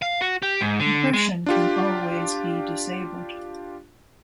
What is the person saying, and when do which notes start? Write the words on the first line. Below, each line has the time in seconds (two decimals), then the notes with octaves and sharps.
Compression can always be disabled.
0.02 F5
0.21 F#4
0.42 G4
0.61 G#2
0.80 D3
1.14 G#3
1.46 D4 F4 G4